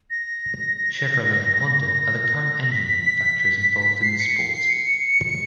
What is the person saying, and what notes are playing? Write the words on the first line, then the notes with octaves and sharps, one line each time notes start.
Chevrolet and Honda are the current engine manufacturers involved in the sport.
A#6
B6
C7
C#7
C7
C7
C#7